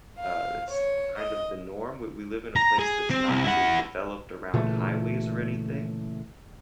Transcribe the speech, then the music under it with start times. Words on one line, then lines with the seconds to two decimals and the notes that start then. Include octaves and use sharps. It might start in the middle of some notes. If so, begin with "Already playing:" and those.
uh, it's kind of the norm, we we live in a place that's not really developed around highways or anything,
0.20 F5
0.70 C#5
1.17 D#5
2.56 A#5
2.79 G#4
3.10 C4
3.28 C2
3.44 E4 F#5
4.54 A#2 C#3 E3 A3